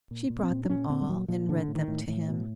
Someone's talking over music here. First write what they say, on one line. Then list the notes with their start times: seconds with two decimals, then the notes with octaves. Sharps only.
She brought them all, and read them to him.
0.11 A#2
0.30 A#2
0.39 B3
0.43 C4
0.50 A#2
0.65 D4
0.70 A#2 C#4
0.90 A#2 C4
1.01 G3
1.09 A#2 F#3
1.28 A#2 F3
1.49 A2 D3
1.68 A2
1.75 D#3
1.88 A2
2.08 A2
2.28 B2